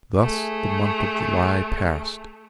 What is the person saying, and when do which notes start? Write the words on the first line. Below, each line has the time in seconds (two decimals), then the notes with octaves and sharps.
Thus the month of July passed.
0.19 A3 G#4